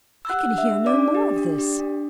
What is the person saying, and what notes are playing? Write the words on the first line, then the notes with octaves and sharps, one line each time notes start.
I can hear no more of this.
E6
G4 F#5 F#6
D4
E5 E6
G4
D5 D6
D4
G4
D4
G4
D4